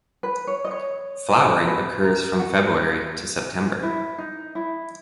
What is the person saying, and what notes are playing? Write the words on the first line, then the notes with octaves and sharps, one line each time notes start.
Flowering occurs from February to September.
B4
C#5
D#5
C#5
B4
A#4
F#4
E4
D#4
E4